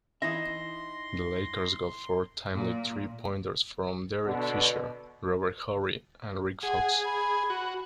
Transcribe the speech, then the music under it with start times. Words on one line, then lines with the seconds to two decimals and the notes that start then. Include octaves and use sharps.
The Lakers got four timely three-pointers from Derek Fisher, Robert Horry, and Rick Fox.
0.22 E3 D#4 E4 E5 C6 A#6
2.55 A#2
4.25 B2 D3
6.63 G#4 F#5
7.05 B5
7.50 F#4